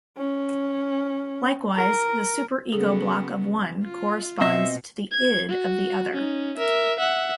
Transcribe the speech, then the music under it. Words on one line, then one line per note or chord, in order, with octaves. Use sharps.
Likewise, the super-ego block of one corresponds to the id of the other.
C#4
A#4
C#3 F#3 B3 G#4 A4
F4
B2 C4 D#5 E5
G#6
F#4
C#4 D#4
A#4 E5
E5 F#5